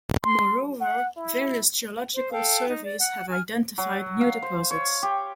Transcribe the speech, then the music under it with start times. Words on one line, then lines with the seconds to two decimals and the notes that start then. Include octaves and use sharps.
Moreover, various geological surveys have identified new deposits.
0.23 C6
0.80 F#5
1.17 E4
2.14 C5
2.32 A4 F5 G5
2.68 D#4
2.85 D5
2.98 F#5
3.29 G#5 F6
3.78 F#3
4.21 F5
4.42 C5
4.71 C#5
5.03 G4